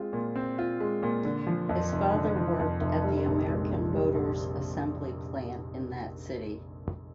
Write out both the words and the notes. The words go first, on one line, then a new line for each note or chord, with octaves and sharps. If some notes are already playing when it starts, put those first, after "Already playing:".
His father worked at the American Motors assembly plant in that city.
Already playing: G#3 C4 F4
A#2
C4
F4
G#3
A#2
D3
F3
F2
F1
D3
F3
F2
F1
G3
A#1
G#2
A#1
G3
A#1